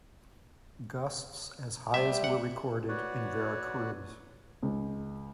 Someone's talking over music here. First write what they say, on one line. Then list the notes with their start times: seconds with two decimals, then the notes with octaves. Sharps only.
Gusts as high as were recorded in Veracruz.
1.94 G3 A3 G4 C5 E5
2.24 F#5
2.88 F#4 B4 C#5 D5 F#5
4.63 C#2